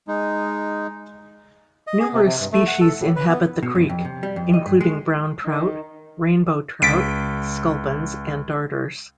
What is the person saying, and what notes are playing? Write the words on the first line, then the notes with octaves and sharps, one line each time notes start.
Numerous species inhabit the Creek including brown trout, rainbow trout, scuplins and darters.
G#3 D#4
D#5
G#4
C3
C3
G2
A3
F#5
A4
A2
B4
B3
B2
F#2
F2
C3
G3
F2
D#5
G2
G#3
D#3
C#2 A6 B6 D7